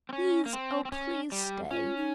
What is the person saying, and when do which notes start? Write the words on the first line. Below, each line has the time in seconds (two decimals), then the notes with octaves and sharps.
Please, oh! please stay.'
0.09 C4
0.13 C#4
0.46 A#3
0.53 C4
0.85 C4
0.92 C#4
1.32 G3
1.71 C#4 F4
1.97 D#4